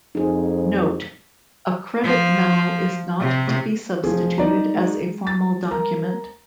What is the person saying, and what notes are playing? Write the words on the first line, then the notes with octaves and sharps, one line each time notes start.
"Note:" A Credit Memo is not to be substituted as a formal document.
F2 D#4 G#4 C5
F3
C3
F1 F3 G#4
G3 D#4 D5 A#5
G#3
G3 A6
A#4 A#5